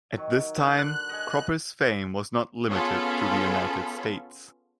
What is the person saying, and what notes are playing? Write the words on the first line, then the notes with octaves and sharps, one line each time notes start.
At this time, Cropper's fame was not limited to the United States.
D#3 F#3
D3 F#6
D#5 F#5 G#5
B3 C#4 F4 G#4 A4 B5